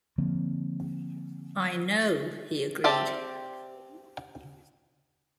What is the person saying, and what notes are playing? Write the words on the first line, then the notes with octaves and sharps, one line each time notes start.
"I know," he agreed.
D3 F3 A#3 C4
C4 G4 D5 E5 A5